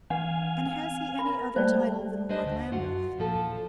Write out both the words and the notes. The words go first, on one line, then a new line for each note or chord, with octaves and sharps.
"And has he any other title than Lord Lambeth?"
E3 D4 F5 F#5 G#5
C4
A#4 B5
G3 A3 A#3 C5 D5
G#3 D4 B4 C5 D#5
D2 D3
F#2 F4 F#4 F#5
E2 A#2 F3 A4